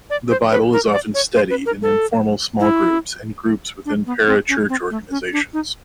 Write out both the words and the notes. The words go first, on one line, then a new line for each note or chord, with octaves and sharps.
The Bible is often studied in informal small groups, and groups within parachurch organizations.
D5
C5
B4
A#4
D5
C#5
C5
B4
A#4
A4
E4
D4
B3
C4
C#4
C4
A3
C#4
D4
D#4